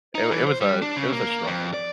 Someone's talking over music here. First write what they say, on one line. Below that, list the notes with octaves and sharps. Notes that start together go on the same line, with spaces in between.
it it was a it was a struggle.
D#4
E3
C5
G3
D4
C#3
A#3
F2
D5